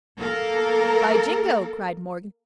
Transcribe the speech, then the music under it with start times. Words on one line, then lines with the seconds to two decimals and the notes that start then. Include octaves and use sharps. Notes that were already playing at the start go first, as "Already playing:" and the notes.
"By Jingo!" cried Morgan.
0.19 A#3 A4 A#4